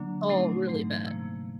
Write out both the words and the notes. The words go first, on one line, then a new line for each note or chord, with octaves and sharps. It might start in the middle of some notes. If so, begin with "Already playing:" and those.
all really bad.
Already playing: D3 F#3 A#3 D4
A#2 F#3 A3 C4 D#4
G#2 E3 A3
C3 F3 A#3